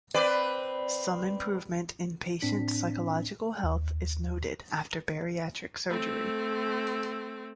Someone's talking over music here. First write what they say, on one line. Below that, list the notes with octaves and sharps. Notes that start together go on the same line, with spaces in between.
Some improvement in patient psychological health is noted after bariatric surgery.
C4 B4 D5
A2 C4 D4 B6
D#2
A3 C4